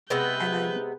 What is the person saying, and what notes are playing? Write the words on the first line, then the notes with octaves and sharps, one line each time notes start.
and I'm
C3 G#3 B3 B4 G6